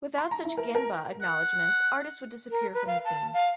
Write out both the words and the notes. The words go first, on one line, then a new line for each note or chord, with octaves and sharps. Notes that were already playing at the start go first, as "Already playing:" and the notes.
Without such "genba" acknowledgments, artists would disappear from the scene.
C6
A#5
E4
A#4
A#4
F#5
A#4
B4
F5
A5
F5